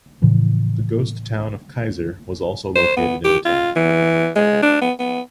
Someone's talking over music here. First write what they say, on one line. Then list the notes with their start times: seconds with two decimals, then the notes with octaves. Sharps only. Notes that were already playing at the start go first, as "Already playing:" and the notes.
The ghost town of Kaiser was also located in the town.
0.22 A2 C#3 E3 F3
2.76 C5
2.97 B3
3.25 G4
3.46 F4
3.76 E3
4.36 G#3
4.63 D4
4.82 B3
4.99 B3